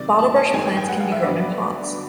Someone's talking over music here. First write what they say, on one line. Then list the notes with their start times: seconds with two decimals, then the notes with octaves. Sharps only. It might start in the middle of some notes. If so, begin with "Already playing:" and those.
Bottlebrush plants can be grown in pots.
Already playing: C3 D#3 F#3 D5
0.19 A5
0.36 A5
0.54 G2 D#3 G#3 G#5
0.66 G5
0.77 G5
0.88 F#5
1.00 F5
1.12 E5
1.24 G2 D3 F#3 B3 D4 D5